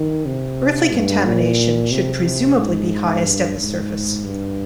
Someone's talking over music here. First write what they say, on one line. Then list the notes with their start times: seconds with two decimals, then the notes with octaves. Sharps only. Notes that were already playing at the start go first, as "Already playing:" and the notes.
Earthly contamination should presumably be highest at the surface.
Already playing: D#3
0.26 C3
0.92 G2
1.25 A#2
1.92 C3
2.58 G#2
3.25 G2
3.58 G#2
4.24 G2